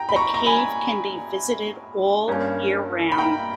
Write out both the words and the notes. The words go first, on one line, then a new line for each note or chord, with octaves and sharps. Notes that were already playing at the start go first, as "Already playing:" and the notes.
The cave can be visited all year round.
Already playing: G5 A#5
B5
A#5 C#6
A#5
G#5 B5
G2 G3 A#3 C#4
B5
G5 A#5